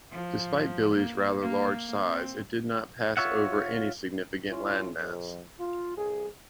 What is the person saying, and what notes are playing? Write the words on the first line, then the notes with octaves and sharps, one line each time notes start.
Despite Billie's rather large size it did not pass over any significant land mass.
F3
A#3
A#3
C4
F4 C#5 E5 F#5
C#4 E4 F4
F2
F4
C2 G#4